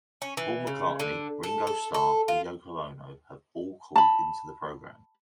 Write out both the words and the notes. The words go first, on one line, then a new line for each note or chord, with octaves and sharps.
Paul McCartney, Ringo Starr, and Yoko Ono have all called into the program.
C#4
E3
C#3
D3
A4
A4
A4
F4
A5 B5